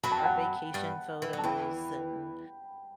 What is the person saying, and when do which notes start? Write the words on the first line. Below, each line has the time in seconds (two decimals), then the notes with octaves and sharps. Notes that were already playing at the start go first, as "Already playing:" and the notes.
our vacation photos and
0.03 F#2 F#3 B5
0.12 A5
0.18 G5
0.25 F#5 A5
0.74 G2 G3
1.22 E3
1.33 F#3
1.39 A5
1.44 E2 E3 G5 B5